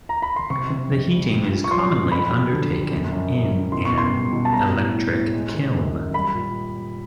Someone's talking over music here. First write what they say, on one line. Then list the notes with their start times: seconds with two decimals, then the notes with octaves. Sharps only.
The heating is commonly undertaken in an electric kiln.
0.09 A#5
0.22 B5
0.36 C6
0.50 C3 C#6
0.70 C3
0.90 F2
1.11 G3
1.31 A#2
1.51 A#2
1.64 C#6
1.71 F3 C6
1.91 A#2
2.11 F2 B5
2.31 F#3
2.52 D3
2.71 F2
2.91 F#2
3.12 F#2
3.32 F#2
3.52 F#2
3.72 B2 C6
3.85 C#6
3.93 B2 C6
4.13 G3
4.33 B2
4.45 A5
4.53 G3 A#5
4.73 A2
4.93 A2
5.14 A2
5.34 G#3
5.54 D#3
5.75 F#2
5.94 F#2
6.14 G3 B5
6.34 A#2